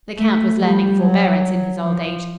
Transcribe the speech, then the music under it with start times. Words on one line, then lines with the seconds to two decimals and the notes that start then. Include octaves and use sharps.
The count was learning forbearance in his old age.
0.17 A3
0.58 G3
1.00 F#3
1.81 F3